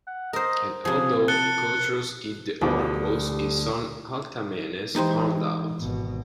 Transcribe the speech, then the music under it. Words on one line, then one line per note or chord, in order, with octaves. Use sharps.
And although Catreus hid the oracles, his son Althaemenes found out.
F#5
A#4 C5 D#5
C3 F3 G#4
A5 F#6 C#7 G7
D2 B2 F3 G4 D6
E3 G#3 D#4 G4 C5
G#1 B2